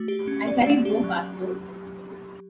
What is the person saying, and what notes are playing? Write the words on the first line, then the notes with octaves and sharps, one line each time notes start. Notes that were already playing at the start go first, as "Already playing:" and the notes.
I carried no passports.
Already playing: A3 F#4
G4
C#4
D5
A3
G4
F#3